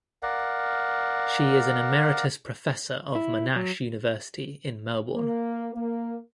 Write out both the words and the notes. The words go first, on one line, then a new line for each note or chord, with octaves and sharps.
She is an emeritus professor of Monash University in Melbourne.
A#4 D5 F5 F#5
E4
F#3
A#3
A#3